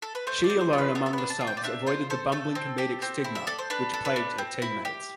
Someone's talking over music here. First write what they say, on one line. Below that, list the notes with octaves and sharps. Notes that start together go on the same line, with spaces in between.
She alone among the Subs avoided the bumbling comedic stigma which plagued her teammates.
A4
B4
A3 C5
D5
C4
C5
F4
B4
B3 A4
A4
D4 B4
A5
F4
G5
D5
D4 E5
F4 C5
A4 C5
A3 A4
C4
G4
C4
E4
E5
A4 D5
C5
D4 B4
A4
B4
D4
C4
E4
G4